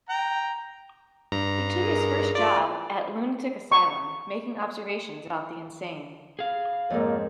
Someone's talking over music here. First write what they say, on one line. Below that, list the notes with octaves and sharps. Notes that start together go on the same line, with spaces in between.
He took his first job at Lunatic Asylum making observations about the insane.
G5 A#5
G2 A#5
G#4 A#4
F4 D5
C#6
G#4 F5
F2 G#2 F3 A#3 A#4 C#5